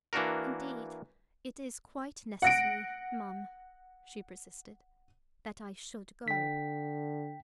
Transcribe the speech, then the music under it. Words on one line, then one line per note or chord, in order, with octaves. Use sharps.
"Indeed, it is quite necessary, ma'am," she persisted, "that I should go."
E3 A#3 D4 F#4 A#4
F#5 A#6 D7
D3 G5 B6